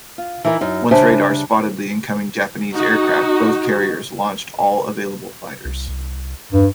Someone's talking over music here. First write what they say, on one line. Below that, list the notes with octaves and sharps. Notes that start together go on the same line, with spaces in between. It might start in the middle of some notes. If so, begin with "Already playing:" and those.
Once radar spotted the incoming Japanese aircraft, both carriers launched all available fighters.
F4
E3 D#4 E4 A#4
F#2 D#4
C#3 G3 D4 C5 E5 G#5
D#4 F#4
C2
C2
E2 G2